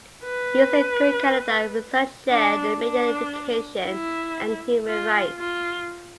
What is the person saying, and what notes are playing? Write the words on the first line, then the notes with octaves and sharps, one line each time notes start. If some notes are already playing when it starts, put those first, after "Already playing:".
He is the current Canada Research Chair in Media Education and Human Rights.
B4
D4
D4
E4
F4
F4